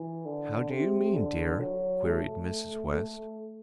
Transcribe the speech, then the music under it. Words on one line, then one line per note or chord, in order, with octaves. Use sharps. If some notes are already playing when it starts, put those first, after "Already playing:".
"How do you mean, dear?" queried Mrs. West.
Already playing: E3
D3
C3
D3
F#3
A3
A3